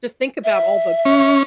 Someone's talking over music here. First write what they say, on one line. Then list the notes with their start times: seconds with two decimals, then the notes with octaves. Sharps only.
to think about all the,
0.44 E5
1.05 C#4